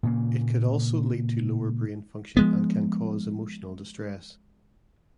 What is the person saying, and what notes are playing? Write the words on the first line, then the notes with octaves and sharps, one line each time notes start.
It could also lead to lower brain function and can cause emotional distress.
A#2 C#3 A#3
F3 G#3 B3